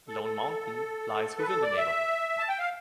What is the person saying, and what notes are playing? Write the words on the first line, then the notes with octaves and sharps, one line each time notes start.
Lone Mountain lies within the neighborhood.
A4
A4
B4
A4
D5
E5
A5
G5
F5